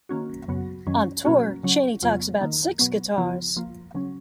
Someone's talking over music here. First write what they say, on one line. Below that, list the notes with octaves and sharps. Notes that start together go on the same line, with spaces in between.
On tour, Cheney takes about six guitars.
D#3 A#3 C#4 F#4
F#2 C#3 F#3 B3 F#4
F#2 D#3 F#3 C#4
B2 F#3 A#3 C#4 F#4
C#3 F#3 C#4
F2 C#3 F#3 B3 F4
D#3 A#3 D#4
B2 F#3 B3
C#3 F3 B3 F4
F3 A#3 F4
C#3 F#3 C#4